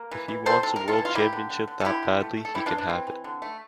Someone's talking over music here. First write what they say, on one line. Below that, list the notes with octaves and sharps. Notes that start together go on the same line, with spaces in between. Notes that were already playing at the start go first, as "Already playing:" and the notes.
If he wants the world championship that badly he can have it.
Already playing: A#3
E3
E3
C3 A4 C5
C3 A4
C3 A#4
F4 A4
E3
F4
A#3 E4 G4
D3
D3
D3
A4
D3 E4 G4
D3
A3
A3
A4
E3 E4 G4
D4 F4
E3
D4
E3 C4
E3
D3
A3